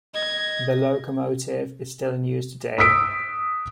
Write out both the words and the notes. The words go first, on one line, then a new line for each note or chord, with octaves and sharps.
The locomotive is still in use today.
D#5 G#6
D#6 E6 B6 D7